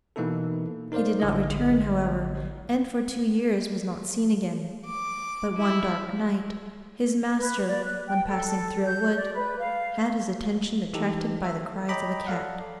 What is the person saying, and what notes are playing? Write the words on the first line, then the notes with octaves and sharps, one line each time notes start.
He did not return, however, and for two years was not seen again; but one dark night, his master, on passing through a wood, had his attention attracted by the cries of a cat.
B2 E3 A#3 D#4 E4 A4
D#4 A#4 C5 D5 F5
A1 D3 E4 D#5
D6
E4
B4
D5
F#6
G5
A4
G6
D5
B4
F5
E3 D#4 G4 A4
A4 E5
C#5 D#5 G5 A#5 B5 D6
A4 D5 F5 F#5